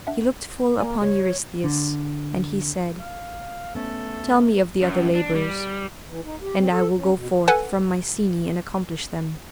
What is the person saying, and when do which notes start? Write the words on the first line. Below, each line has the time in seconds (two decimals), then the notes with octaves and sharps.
He looked full upon Eurystheus and he said, "Tell me of the other labors, and I will go forth from Mycenae and accomplish them."
0.07 D4 E5 F#5
0.80 A#3 D5 G#5
1.02 C#3 C#5
1.64 D3
2.99 F5
3.75 A3 B3 C#4 A4
4.82 F#2
5.15 D4
5.35 G3
6.08 E3
6.24 D#4
6.42 G4
6.58 C4
6.72 A4
6.97 C#4
7.16 B2
7.48 A4 B4 F#5 G#5